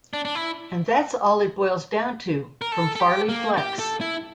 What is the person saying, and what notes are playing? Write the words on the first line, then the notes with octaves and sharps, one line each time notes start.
And that's all it boils down to, from Farley Flex.
D4
D4
E4
A#4
A4
A4
G4
A#3
G4
A4
E4